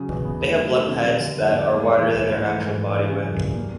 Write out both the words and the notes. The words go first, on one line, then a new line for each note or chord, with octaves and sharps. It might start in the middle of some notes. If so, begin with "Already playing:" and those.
They have blunt heads that are wider than their actual body width.
Already playing: C#3 F#3
E2
B3
A3
F#3
D#3
C4
G3
D3
F2
A#3
B3
G#3
E3
E4
A3
E3
G#2
G#2
E3
C#3
F#2
G3
A#3